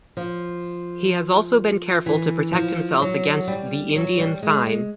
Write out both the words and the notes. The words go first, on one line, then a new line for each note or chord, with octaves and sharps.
He has also been careful to protect himself against ‘the Indian Sign’.
F3
E3
F3
F#3
G3
F#3
G3
G#3
G#3